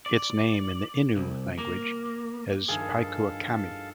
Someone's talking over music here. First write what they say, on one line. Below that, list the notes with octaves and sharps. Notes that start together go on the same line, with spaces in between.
Its name in the Innu language is Piekuakami.
D5
C2
A#3
G2 D#3 F3 G#4 A4 F5 A6